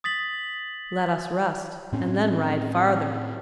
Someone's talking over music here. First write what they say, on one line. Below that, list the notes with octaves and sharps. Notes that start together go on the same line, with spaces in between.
Let us rest, and then ride farther.
D#6 A6 B6 F#7
A2 C4 C#4